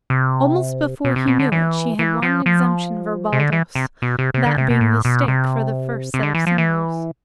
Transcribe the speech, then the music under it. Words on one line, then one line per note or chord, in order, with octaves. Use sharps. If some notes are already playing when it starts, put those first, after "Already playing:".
Almost before he knew it she had won exemption for Baldos, that being the stake for the first set of singles.
C3
B2
C3
B2
D3
E3
E3
F3
F3
C3
D3
E3
C3
B2
C3
C3
D3
C3
B2
A2
B2
C3
C3
D3
E3
F3
E3